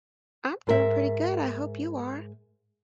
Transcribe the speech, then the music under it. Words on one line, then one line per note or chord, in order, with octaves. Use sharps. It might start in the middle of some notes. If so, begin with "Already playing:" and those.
I'm doing pretty good, I hope you are.
G#2 A#4 E5